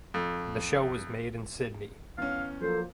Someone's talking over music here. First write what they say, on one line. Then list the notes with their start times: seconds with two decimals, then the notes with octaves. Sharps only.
The show was made in Sydney.
0.14 F2
2.18 E2 C#4 F5
2.62 F3 F#3 A#3 A4 C5